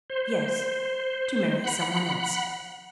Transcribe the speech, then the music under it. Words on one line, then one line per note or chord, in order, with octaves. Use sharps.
"Yes--to marry some one else."
C5
F#5 B5